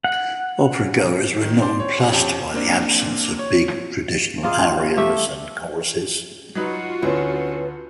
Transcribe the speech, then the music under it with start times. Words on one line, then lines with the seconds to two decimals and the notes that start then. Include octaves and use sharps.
Operagoers were nonplussed by the absence of big traditional arias and choruses.
0.04 F#5
1.42 D#3
1.61 C5 D5 C6 D6
1.80 C#5
2.11 F2 C#4 G4 A5
2.54 A#3 C4 D4
3.39 C#5
4.43 A#3 F4 G#4
4.97 A3 G4 E5
6.55 F#3 D#4 F4 F#4 B4
7.02 D2 B3 C#4 E4 B4